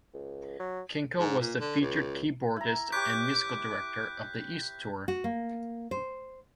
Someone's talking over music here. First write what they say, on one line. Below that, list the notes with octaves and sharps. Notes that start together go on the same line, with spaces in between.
Kinkel was the featured keyboardist and musical director of the East tour.
C#2
F#3
G#2
A#2
D3
C#2
E4 A#5
G4 B4 C#5 D6 F#6 G6 B6
F#4
A#3
C5